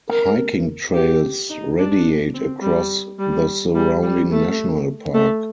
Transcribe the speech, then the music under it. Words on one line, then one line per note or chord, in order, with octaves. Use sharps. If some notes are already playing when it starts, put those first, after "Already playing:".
Hiking trails radiate across the surrounding national park.
A#4
G4
D#4
D4
C4
G3
G3
G3
G3
A3
A3